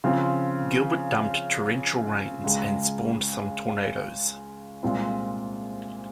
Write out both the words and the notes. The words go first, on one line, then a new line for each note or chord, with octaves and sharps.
Gilbert dumped torrential rains and spawned some tornadoes.
C#3 F3 C4 F4
C#2 C#3 G#3
C2 A#2 G#3 C4 F4